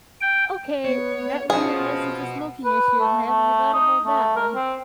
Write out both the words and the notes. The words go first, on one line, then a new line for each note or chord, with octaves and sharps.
"Okay, that really addresses the smoking issue. Have you thought about that one?"
G5
B3 C#5
F3 C#4 F#4 G#4 B4
B4
A3
A3
D#4
A3
A#4
C4